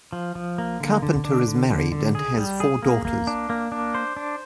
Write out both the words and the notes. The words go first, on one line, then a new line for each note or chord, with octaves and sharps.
Carpenter is married and has four daughters.
F3
F3
A#3
D3
D3
D4
D3
D3
D3
G#4
G3
G#4
A#3
A#3
D4
A#3
D4
C5
D4